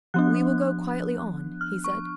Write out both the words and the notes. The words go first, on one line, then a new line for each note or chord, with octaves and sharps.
"We will go quietly on," he said.
F3 B3 D4 F#6
F6
C#6